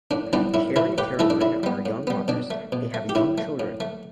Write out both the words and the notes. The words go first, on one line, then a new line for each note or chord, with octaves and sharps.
Sharon and Caroline are young mothers, they have young children.
A2 D4
E3 G3 B3 D4
A2 E4
E3 A3 E4
A2 G4 B4
E3 A3 E4 A4
D4
A2 E4
G3 B3
A2
G3 B3
B2 D4
A3
B2
A3
G4
A2 E4
A3
A2
A3